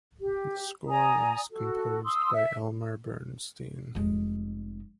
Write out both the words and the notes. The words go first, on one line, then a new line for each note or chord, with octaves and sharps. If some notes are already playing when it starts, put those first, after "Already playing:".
The score was composed by Elmer Bernstein.
G4
D5 G#5 A#5 D#6
F#4 A4
C6 D#6 E6
E5
F1 G#3